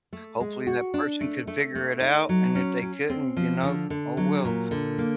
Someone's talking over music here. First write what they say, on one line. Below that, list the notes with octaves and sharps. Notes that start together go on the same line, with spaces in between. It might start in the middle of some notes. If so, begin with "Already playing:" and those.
hopefully that person could figure it out, and if they couldn't, you know, oh well.
A3
G#3
F#4
D4
A3
A3
A3
D#4
F#3
C#4
C#4
C4
F3
D3
D3
F#3
A#2
D3
A#3